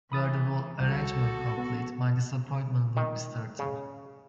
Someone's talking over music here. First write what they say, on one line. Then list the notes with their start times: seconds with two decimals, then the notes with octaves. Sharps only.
Were the whole arrangement complete, my disappointment would be certain.
0.12 E3 B5 D#6 A6
0.80 C2 F#4 A4
1.57 B3
2.97 D#3
3.59 C#3